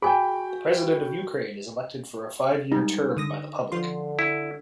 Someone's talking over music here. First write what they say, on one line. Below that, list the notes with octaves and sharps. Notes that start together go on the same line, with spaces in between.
The President of Ukraine is elected for a five-year term by the public.
F#4 G#4 G5 G#5 B5
G#2 G3 D#4
D3 D#6 A#6
D3 F3 F4 C6
E4